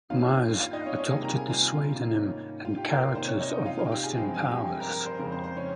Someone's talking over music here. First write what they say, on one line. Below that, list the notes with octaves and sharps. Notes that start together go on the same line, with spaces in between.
Myers adopted the pseudonym and character of Austin Powers.
G2 D#3 G3 A#3 C#4 F4 F5
F4 F5
D#4 D#5
C#4 C#5
C#4 C#5
C3 D#3 G3 A#3 G#4 G#5
A#4 A#5
G#4 G#5
F4 F5
G#2 D#3 A#3 C#4
F4 F5
G4 G5
A#4
C5
C3 D#3 A#3 C#4 C5
C#4 C#5
D#4 D#5
D#4 D#5
F4 F5
F4 F5
G4 G5
G#4 G#5
G2 F3 G#3 C4
G#4 G#5
G4 G5
A#4
A#4
C5
F2 C#3 G#3 C4 A#4
C5
C5
C#4 C#5